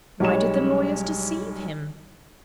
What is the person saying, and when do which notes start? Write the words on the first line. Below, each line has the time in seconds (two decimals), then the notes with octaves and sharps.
"Why did the lawyers deceive him?"
0.20 B1 G3 G#3 C#5 E7